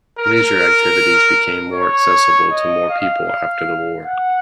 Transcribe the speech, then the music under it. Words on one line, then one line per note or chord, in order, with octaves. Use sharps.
Leisure activities became more accessible to more people after the war.
A#4
C#5
D#5
F5
F#5